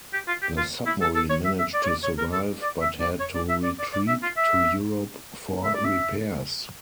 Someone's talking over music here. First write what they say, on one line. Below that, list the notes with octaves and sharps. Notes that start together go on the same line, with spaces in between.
The submarine managed to survive but had to retreat to Europe for repairs.
G4
F4
G4
F4
E4
A4
A4
C#5
E5
E5
D5
C#5
D5
C#5
A#4
A4
D5
E5
D5
C#5
D5
E5
D5
D5
D5
E5
F4
E5
E5
D5
E5